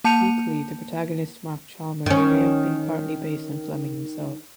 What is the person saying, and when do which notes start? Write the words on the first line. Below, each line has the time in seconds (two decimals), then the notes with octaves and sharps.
Equally the protagonist Mark Chalmers may have been partly based on Fleming himself.
0.04 A#3 A5 G6 C#7 D#7 F7
2.06 D#3 C#4